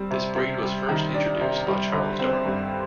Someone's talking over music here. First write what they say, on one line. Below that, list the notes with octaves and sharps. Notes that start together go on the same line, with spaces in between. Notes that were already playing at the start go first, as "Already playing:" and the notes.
This breed was first introduced by Charles Darwin.
Already playing: G3 C4
C3
C3
G3
D#3
D4
C3
G3
D3
C4
G2